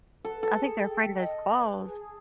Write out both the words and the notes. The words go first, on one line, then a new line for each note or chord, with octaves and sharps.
I think they're afraid of those claws.
A4 B4
A4
G#4
G5
D#5
B4
G#4